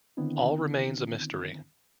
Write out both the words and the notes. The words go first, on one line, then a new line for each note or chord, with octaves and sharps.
All remains a mystery.
D3 D#3 B3 C4 D4 E4